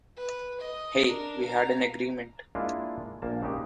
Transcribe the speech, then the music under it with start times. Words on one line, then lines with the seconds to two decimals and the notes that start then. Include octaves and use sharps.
Hey, we had an agreement!
0.17 B4
0.61 D#5
1.06 D4 A#4
1.41 F5 A#5
2.55 G#3 A#3 D4 E4 F4
3.22 A#1 A#3 A5
3.42 C#3 G#3 D#4 G4